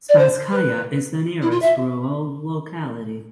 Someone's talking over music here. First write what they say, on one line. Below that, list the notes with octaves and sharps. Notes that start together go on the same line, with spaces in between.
Spasskaya is the nearest rural locality.
D5
C5
B4
E4
F4
E5